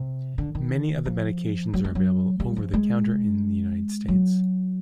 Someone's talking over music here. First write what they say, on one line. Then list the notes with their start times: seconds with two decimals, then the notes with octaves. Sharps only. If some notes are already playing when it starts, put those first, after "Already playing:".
Many of the medications are available over the counter in the United States.
Already playing: C3
0.38 D3
0.55 D#3
1.06 F3
1.74 F#3
1.84 G3
1.95 F#3
2.40 G3
2.57 F3
2.74 G#3
4.08 F#3